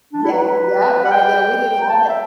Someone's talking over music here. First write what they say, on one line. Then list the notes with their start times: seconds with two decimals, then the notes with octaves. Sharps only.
yeah yeah, right, yeah, we didn't have it.
0.13 D4
0.23 E4
0.32 B4
1.05 F#5
1.11 G5
1.83 G5
1.89 A5
1.99 G5
2.09 E5